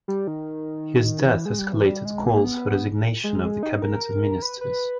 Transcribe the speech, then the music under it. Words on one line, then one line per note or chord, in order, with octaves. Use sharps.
His death escalated calls for resignation of the Cabinet of Ministers.
G3
D#3
E3
G#3
G3
E3
G3
G#3
A#3
B3
G#3
G#3
D#4
A#4
B4
B4